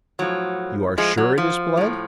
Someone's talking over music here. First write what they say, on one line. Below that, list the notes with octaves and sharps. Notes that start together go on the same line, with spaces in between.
"You are sure it is blood?"
A2 F3 F#3
F3 G#3
F#3
F3
A2 F3